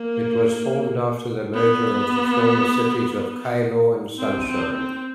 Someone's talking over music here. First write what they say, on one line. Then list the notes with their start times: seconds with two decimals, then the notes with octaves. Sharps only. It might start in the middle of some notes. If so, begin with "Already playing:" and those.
It was formed after the merger of the former Cities of Keilor and Sunshine.
Already playing: A#3
1.54 B3
4.18 C4
4.48 C4
4.77 C4